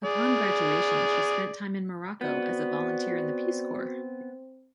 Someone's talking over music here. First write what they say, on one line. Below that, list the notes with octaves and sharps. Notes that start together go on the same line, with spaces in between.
Upon graduation she spent time in Morocco as a volunteer in the Peace Corps.
G#4 D5
B3 C4 F#4 D5